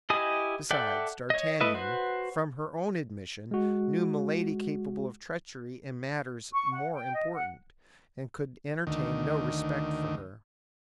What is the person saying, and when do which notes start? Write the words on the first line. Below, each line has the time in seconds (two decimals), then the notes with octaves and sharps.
Besides, d'Artagnan from her own admission knew Milady culpable of treachery in matters more important, and could entertain no respect for her.
0.10 E4 G4 D#5 G#5 D#6
0.71 A4 D5 E5 F#5 G5
1.30 C#5 D#5
1.61 A3 E4 B4 D#5 E5
1.74 F#4 B4 C5
3.51 G#3 F#4
6.52 C#6
6.71 F#5
6.94 G5
7.14 D#5
7.33 F#5
8.87 D2 D#3